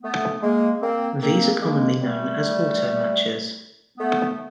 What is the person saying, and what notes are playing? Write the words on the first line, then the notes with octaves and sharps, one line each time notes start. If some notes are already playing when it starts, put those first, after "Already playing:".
These are commonly known as 'auto-matchers'.
A3 B3
G#3 A#3
A#3 C4
A#3 C4
G#3 A#3
G3 A3
A3 B3